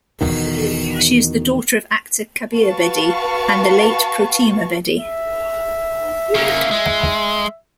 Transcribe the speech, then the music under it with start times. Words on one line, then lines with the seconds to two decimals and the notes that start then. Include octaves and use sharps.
She is the daughter of actor Kabir Bedi and the late Protima Bedi.
0.21 E2 B2 D#3
2.55 F#4 B4 F5 A5 C#6
5.00 E5
6.35 C#3 A#3
6.71 G#3